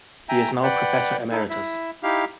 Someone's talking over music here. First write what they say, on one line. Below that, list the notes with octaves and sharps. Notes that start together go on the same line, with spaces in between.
He is now professor emeritus.
E5 G5 G#5 A#5
B4 D5 F#5 G5
D#4 E4 A4
E4 E5
D#4 E4 G4 F5